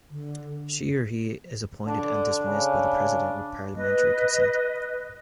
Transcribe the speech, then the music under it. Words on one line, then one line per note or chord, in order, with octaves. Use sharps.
She or he is appointed and dismissed by the president with parliamentary consent.
D3
D3 D4
C#3
B4 D#5